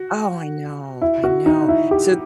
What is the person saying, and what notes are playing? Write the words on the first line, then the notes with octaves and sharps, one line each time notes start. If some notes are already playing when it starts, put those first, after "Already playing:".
Oh, I know, I know, so
Already playing: F#4
E4
F#4
D#4
E4
G4